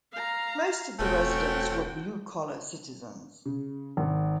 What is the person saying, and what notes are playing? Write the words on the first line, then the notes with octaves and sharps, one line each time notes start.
Most of the residents were blue collar citizens.
F5 A#5
E1 A3 C4 C#4 F#4 G5
C#3
G#1